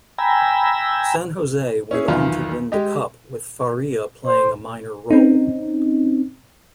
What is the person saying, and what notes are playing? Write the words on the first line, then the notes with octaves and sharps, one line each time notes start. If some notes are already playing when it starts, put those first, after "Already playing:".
San Jose went on to win the Cup with Faria playing a minor role.
G5 G#5 A#5 B5 E6
C#4 E4 G#4
B1 E2 D#3 F4
G#3 G4 D#5
C5
C4 C#4 D#4